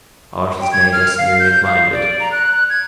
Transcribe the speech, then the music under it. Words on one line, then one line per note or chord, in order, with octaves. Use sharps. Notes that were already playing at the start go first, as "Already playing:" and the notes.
Art has made us myriad-minded.
G5
G#6
F6
F5
G6
F5
D5
A#5
F#6
G#6